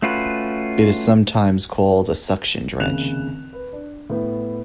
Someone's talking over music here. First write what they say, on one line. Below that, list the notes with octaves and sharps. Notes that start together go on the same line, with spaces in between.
It is sometimes called a suction dredge.
A3 C#4 F4 F#4 B4
F1 D#2 C#3 F#6 E7 F7
B4
D4
A2 B3